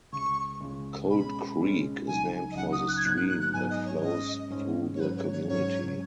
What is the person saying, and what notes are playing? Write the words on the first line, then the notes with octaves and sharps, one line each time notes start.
Cold Creek is named for the stream that flows through the community.
C#2 C#3 G#3 C#6
C#2 C#3 G#3
B2 G#3 C#4 B5
B2 G#3 C#4
C#2 C#3 F#3 D#4 G#5
D#5
C#2 C#3 F#3 D#4 F#5
D#6
F#6
G#6
G#2 F#3 B3 D#4 F#6
F#6
F#6
F#6
G#2 F#3 B3 D#4 G#5
D#5
C#5
G#2 G#3 C#4 D#5
G#2 G#3 C#4
C#5
G#2 F#3 C#4 B4
C#5
C#5
G#2 F#3 C#4 C#5